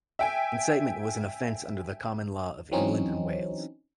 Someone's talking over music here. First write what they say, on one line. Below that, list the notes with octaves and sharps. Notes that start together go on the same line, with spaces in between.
Incitement was an offence under the common law of England and Wales.
E5 G5 G#5
E3 F#3 C4 C#4 D#4